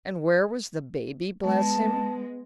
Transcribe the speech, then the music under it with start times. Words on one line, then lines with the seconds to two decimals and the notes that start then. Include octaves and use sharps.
And where was the baby, bless him?
1.43 G#3 B3 A5